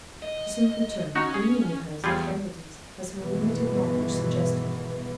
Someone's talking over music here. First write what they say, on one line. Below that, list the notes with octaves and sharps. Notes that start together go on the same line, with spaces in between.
She soon returned, bringing with her such remedies as her limited knowledge suggested.
D#5
C#4 D#4 F#4
G#4
E2 G3 F4 G#4
G2 B2 D#3 E3 G#3 B3